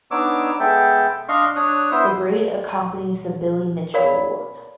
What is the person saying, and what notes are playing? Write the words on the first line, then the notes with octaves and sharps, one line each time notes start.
The grade accompanies the Billy Mitchell Award.
B3 D4 D#4 C#5 D6 E6
G#3 B3 A4 E5 G5 A5
D4 D#5 F5 C6 C#6
D4 C#5 D#6 F#6
B3 E4 C5 E5 C6 D#6
A#4 C#5 D5 F5 B5